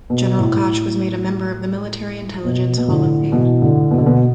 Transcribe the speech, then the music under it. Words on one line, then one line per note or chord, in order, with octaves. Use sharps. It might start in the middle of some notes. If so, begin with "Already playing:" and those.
General Koch was made a member of the Military Intelligence Hall of Fame.
B2
A2
B2
B2
A2 D3
B2 E3
A2 D3
B2
D3
B2